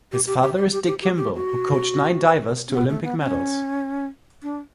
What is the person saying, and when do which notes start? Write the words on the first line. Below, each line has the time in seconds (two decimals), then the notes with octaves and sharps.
His father is Dick Kimball, who coached nine divers to Olympic medals.
0.12 G4
0.27 G4
0.42 G4
0.57 G4
0.72 G4
0.87 G4
1.02 G4
1.17 G4
1.35 F#4
2.69 C#4
2.73 B3
2.89 A3
3.04 B3
3.20 C#4
4.43 D4